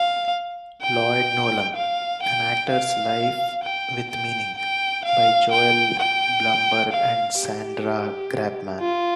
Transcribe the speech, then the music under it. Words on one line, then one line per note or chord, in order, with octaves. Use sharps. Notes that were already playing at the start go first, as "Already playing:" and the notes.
"Lloyd Nolan: An Actor's Life With Meaning," by Joel Blumberg and Sandra Grabman.
Already playing: F5
G5
F5
G5
F5
G5
G5
G5
F5
G5
G5
F5
G4
F4